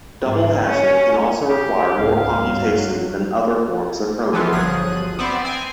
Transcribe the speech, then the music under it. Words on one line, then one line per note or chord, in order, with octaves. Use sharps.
Double hashing can also require more computation than other forms of probing.
G#2
C#4
G4
C#2 G#2 C#3 F5
G2 F#3
E3 F3 B3 C4 F4
G1 F3 F#3 G#4 F#6 D#7
B3 C4 C5 D5 E5
C4 G#5